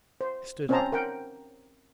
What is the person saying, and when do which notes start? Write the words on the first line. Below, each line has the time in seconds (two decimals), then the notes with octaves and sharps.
I stood up.
0.21 C5
0.69 C4 C#4 C5 C#5 A5 A#5
0.92 A#4 F#5 G5